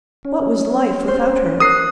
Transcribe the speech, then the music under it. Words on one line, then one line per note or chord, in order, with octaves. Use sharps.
What was life without her?
C#4
C5
A#4 D#6 F#6 C7